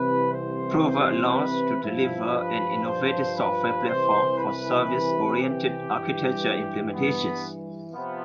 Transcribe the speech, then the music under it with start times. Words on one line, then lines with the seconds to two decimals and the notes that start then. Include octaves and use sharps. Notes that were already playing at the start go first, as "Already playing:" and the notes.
Prova allows to deliver an innovative software platform for Service-oriented architecture implementations.
Already playing: C2 C3 E3 B4
0.31 C5
0.82 C5
1.32 B4
1.82 G2 F3 E4
2.33 B4
2.84 C5
3.36 B4
3.86 C2 C3 E3 C5
4.37 B4
5.39 G4
5.89 G2 E3
6.92 B3
7.92 C3 F3 B3